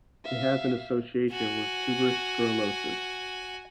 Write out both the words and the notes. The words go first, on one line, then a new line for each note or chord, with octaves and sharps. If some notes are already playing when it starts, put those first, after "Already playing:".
It has an association with tuberous sclerosis.
E5 F5
F#4 G#5